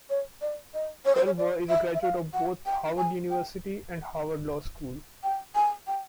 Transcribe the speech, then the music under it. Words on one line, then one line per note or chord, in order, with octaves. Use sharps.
Culver is a graduate of both Harvard University and Harvard Law School.
C#5
D5
D#5
C#5
C5
C#5
D5
E5
E5
F5
F#5
G5
G#5
G5
G5
G#5
G5